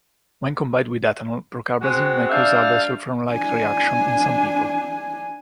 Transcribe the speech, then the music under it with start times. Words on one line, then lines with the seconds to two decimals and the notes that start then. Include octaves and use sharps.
When combined with ethanol, procarbazine may cause a disulfiram-like reaction in some people.
1.82 G#3 C4 F#4
2.30 G3 D4 E5 F5
3.32 D4 G#5